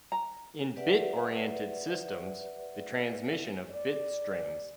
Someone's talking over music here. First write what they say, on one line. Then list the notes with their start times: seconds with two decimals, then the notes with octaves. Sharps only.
In bit-oriented systems, the transmission of bit strings.
0.12 A#5
0.76 G4 B4 D5 E5 F#5
3.69 D5